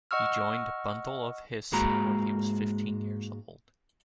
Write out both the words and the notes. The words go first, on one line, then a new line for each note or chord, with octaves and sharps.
He joined Bundle of Hiss when he was fifteen years old.
D#5 F#5 C#6 E6 F6
G#2 G#3 A#3 F#4 A#5 B5